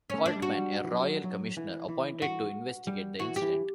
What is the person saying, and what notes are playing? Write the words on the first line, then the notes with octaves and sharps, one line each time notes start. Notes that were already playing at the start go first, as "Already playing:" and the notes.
Coltman, a Royal Commissioner appointed to investigate the incident.
A3 C#4
D4
G3
F#4
G3
E3
F#3
F#3
E3
E3
F#4
G3
E3 F#4
G4
E3